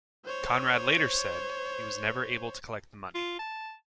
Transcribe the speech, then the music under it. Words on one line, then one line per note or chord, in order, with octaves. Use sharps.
Conrad later said he was never able to collect the money.
C5 C#5
F4
A5